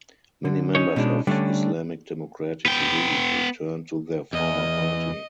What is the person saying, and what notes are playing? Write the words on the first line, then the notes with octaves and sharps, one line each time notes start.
Many members of Islamic Democratic League returned to their former party.
D3
C#4 D#4 C#5
B2 G#3 D4
D3 G3 A3 C#4 D4
B3 G5
E2 D#5